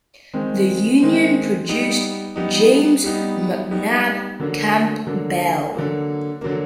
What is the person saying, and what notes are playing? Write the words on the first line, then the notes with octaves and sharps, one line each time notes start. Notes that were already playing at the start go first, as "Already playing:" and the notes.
The union produced James Macnabb Campbell.
D#3 G#3 C4
D#3 G#3 C4
G3 B3 D#4
G3 B3 D#4
G3 B3 D#4
G3 B3 D#4
D3 F#3 A#3
D3 F#3 A#3
D3 F#3 A#3
D3 F#3 A#3